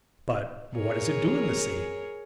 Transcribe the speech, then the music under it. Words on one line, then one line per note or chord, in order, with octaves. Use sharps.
But what does it do in the sea?
G#4 A#4 C#5